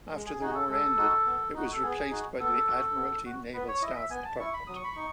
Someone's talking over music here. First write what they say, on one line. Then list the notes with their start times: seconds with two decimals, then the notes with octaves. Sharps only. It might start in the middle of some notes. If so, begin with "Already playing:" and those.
After the war ended, it was replaced by the Admiralty Naval Staff department.
0.12 G#3
0.26 G#4
0.41 D#4 F#4 G#4
0.55 A4
0.69 G#3 A4
0.97 D#4 F#4
1.26 B3
1.54 D#4 F#4
1.72 A4
1.83 B3 G#4
2.11 D#4 F#4
2.40 B3 A4
2.68 F#4
2.96 B3
3.25 F#4
3.54 B3 B4
3.68 C#5
3.82 E4 D#5
3.96 E5
4.10 B3 G#5
4.25 A5
4.39 E4 C#6
4.54 B5
4.67 F#3 D#6
4.76 C#6
4.84 B5
4.93 D#4 C#6